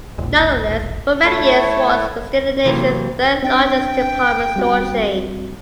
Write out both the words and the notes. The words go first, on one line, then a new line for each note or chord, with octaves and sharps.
Nonetheless, for many years Wards was still the nation's third-largest department store chain.
E1 A#1
A3 E4 A4 C#5
C3 E3 F#3 A#3
C4 D4 G5 A6
G3 C4 F#4